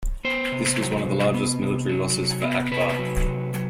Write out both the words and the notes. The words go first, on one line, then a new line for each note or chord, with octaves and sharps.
This was one of the largest military losses for Akbar.
B3 C5
C3
F#3
C3
B3
C3
F#3
C3
B3
C3 B4
F#3
C3
F#3